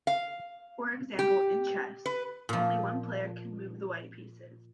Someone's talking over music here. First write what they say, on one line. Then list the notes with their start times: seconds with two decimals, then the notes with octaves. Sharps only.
For example, in chess, only one player can move the white pieces.
0.07 F5
1.19 G4
2.06 B4
2.49 A#2 F3